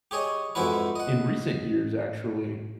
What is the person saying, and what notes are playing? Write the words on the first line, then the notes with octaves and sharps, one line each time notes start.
in recent years, actually,
G4 G#4 C#5 D#5
F2 G#2 G#3 E4 F#4 B4
D#5 F#5